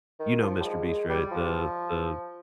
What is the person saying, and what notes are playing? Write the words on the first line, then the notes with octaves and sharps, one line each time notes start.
you know MrBeast, right, the the
D#3
F3
G3
G#3
G#3
G3
F3